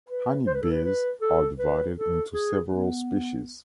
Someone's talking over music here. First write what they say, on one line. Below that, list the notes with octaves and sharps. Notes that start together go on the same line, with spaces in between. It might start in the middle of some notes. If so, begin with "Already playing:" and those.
Honey bees are divided into several species.
B4
C5
B4
A4
B4
B4
A4
B4
A4
G#4
B3